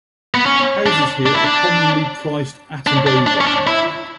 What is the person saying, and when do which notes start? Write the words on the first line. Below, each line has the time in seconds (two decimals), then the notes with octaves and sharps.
Houses here are commonly priced at and over.
0.35 B3
0.46 C#4
0.86 D4
1.26 D4
1.35 E4
1.44 D4
2.87 D4
3.07 D4
3.27 D4
3.41 C#4
3.47 D4
3.67 E4